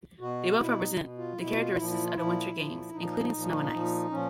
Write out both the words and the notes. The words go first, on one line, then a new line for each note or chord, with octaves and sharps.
They both represent the characteristics of the Winter Games, including "Snow and Ice".
B2 F#4
B2 E4
D#4
B2
F4
B2 E4
F4
A#2 F3 E4
E4
F4
A#2 F3 E4
A#2 F3
A#2 F3 D#4
A#2 F3
A#2 F3
A#2 F3 C#4